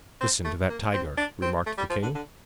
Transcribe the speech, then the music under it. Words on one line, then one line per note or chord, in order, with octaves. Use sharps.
'Listen to that tiger!' remarked the king.
C4
A3
A#3
C4
D4
C4
A3
G3
F3
D3
D3